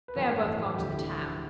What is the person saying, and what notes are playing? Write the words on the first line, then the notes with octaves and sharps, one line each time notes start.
They're both gone to the town.
B4
A1 G2 F3 A4
C5
A1 A2 F3 A3 A4
G4
E1 D2 D3 F3 G4
E4